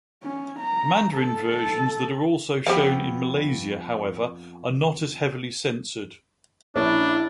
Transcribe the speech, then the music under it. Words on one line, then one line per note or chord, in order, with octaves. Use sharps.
Mandarin versions that are also shown in Malaysia however, are not as heavily censored.
C#4
A#5
A4
A4
F2 B3 G4 C5 F5 B5
A#1 A#3 C#4 D4 E4